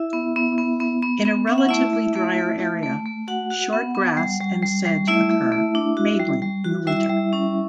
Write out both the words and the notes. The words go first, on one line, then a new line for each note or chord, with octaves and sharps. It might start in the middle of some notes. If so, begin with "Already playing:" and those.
In a relatively drier area, short grass and sedge occur, mainly in winter.
Already playing: E4 E5
B3
B3
B3
B3
B3
B3
C#4 E5
F#5
A3 E4 E5
A3
A3
A3
A3
A3
A3
F#4 F#5
F#4
B3
B3
G3
G3
G3
G3
A3 E4 E5
A3
A3
D4
F#4
G3
G3
F#4
G3 E4 E5
G3
C#4